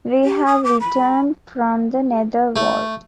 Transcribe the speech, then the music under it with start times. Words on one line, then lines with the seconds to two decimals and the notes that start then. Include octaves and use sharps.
We've returned from the netherworld...
0.24 G4
0.46 D#6
0.64 D6
0.81 B5
2.56 A3